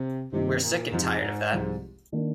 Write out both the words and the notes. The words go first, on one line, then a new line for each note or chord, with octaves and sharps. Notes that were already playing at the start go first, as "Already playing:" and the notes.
We're sick and tired of that.
Already playing: C3
G2 C3 D#3 A#3 D#4
A#2
F2 G#2 C3 F3
G#2
C2 C3 F3 G#3
D#3 A#3 D4